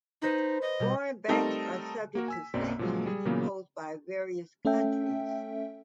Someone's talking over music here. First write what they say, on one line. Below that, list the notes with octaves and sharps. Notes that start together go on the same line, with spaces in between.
Foreign banks are subject to sanctions imposed by various countries.
D#4 B4 C5 B5
D#5
B2 G3
G3 A3 C4 D#4 A4 A#4
A#3 F#4 A#4
G#5 E6 B6
B1 F#2 A#3 C4 D5
A#2 C#3 F3 F#3 G#3
G3 G#4
A#2 C#3 E3 F#3 A#3 B3
A3 C#4 A4 E5 G5